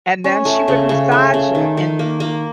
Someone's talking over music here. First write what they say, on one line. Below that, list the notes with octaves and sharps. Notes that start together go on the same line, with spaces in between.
and then she would massage it, and,
C#4
A3
C#3
C#3
A3
C#3
D#3
D#3
A#3
A#3